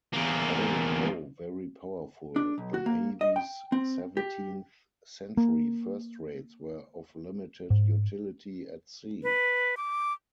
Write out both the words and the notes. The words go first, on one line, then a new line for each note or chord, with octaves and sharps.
Although very powerful, the Navy's seventeenth century first-rates were of limited utility at sea.
E2 A#3
D4
B1
F#4
A#3
D#5
G5
C4
G4
A#3
G#2
B4
D6